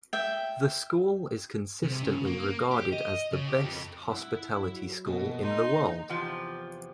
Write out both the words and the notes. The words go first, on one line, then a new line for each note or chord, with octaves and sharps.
The school is consistently regarded as the best hospitality school in the world.
E5 G5
C3
C#3
A#3
G4
D#5
C#3
G4
F2
E4 F#5
F#3
B2 A#3
D#4 C6
E2 C3 F3